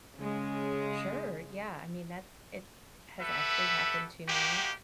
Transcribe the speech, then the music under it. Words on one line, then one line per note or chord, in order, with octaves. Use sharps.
Sure, yeah, I mean, that it has actually happened to me,
C#3 G#3
G4 A4 B4 E5 F#5
G#3 A#3 F#4 G4